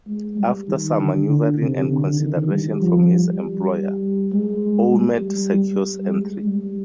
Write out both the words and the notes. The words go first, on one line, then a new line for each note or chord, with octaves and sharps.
After some maneuvering and consideration from his employer, Ouimet secures entry.
G#3
G3
D#3
D3
D3
C3
D3
D#3
G3
F3
G3
G#3
G3
G3
G3
G#3
G3